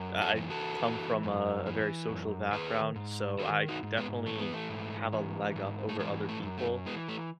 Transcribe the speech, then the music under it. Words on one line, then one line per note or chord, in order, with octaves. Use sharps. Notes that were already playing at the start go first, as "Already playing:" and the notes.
I I come from a a very social background," so I c definitely have a leg up over other people,
Already playing: F#2
F#4 A4
E3
F#4 A4
E3
F#2
E3
F#2
D#3 G#4 B4
G#2
D#3 F#4 A4
D#4 F#4
G#2
G#3 B3
E3 A3
B3
A3
G#2
E3
G#2
A3
E3 G#3
A3
F#2
A3
E3 G#3 B3
A3